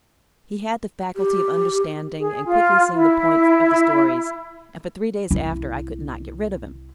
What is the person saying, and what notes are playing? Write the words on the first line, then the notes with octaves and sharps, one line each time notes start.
He had the faculty of understanding and quickly seeing the point of the stories; and for three days after I could not get rid of him.
G4
G#4
F4
E4
C2 E4